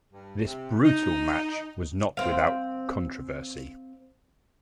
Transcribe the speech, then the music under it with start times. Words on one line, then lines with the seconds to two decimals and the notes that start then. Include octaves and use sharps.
This brutal match was not without controversy.
0.11 G2
0.45 C3
0.84 D#4
2.17 C4 F5